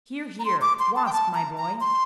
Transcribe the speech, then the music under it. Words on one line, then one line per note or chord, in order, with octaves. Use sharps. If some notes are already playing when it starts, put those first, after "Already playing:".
"Here, here, Wasp, my boy."
A#5
C6
D6
C6
A5
G5
A5
A#5
A#5
C6